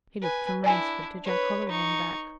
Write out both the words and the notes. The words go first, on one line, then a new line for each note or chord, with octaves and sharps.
He looked from Rainsford to Jack Holloway and back.
B4 G#5
D4 E4 D5 G#5
B4 C#5
D#4 C#6